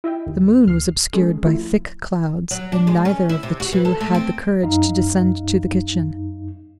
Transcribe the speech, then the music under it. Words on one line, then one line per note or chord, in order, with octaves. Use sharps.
The moon was obscured by thick clouds, and neither of the two had the courage to descend to the kitchen.
E4 D#5 E5 G5
D#2
D2 F6 C7
G#3 C#4 G#4 A4
F3 A3 E4
F#3
D4
G#3
C#4
E4
C3
F#4
E3
A4
A3
C4
F#2 D#4 F5